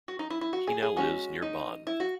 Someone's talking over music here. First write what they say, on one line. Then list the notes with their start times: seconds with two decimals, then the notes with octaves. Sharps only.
He now lives near Bonn.
0.08 F#4
0.19 D#4
0.30 E4
0.41 E4
0.53 F#4
0.67 G#4
0.82 G#4
0.97 G#3 C#4 F#4
1.42 D#4
1.87 E4
2.00 F#4